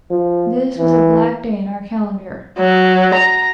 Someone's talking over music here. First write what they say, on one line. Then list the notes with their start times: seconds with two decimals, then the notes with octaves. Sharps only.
This was a black day in our calendar.
0.11 F3
0.78 E3
2.59 F#3
3.14 A#5